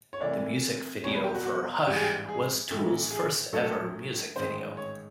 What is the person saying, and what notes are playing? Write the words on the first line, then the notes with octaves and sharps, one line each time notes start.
The music video for "Hush" was Tool's first ever music video.
C#5
C2 C3 E3 A3 D5
E2 B2 G3 C#5
B4
G4
F#4
F#4
A1 G#2 E3 G3 G4
G#4
G4
G#4
A#1 A2 E3 A3
G#4
A#1 A2 F#3 A3 A4
A1 G#2 D#3 G#3 C5
C#5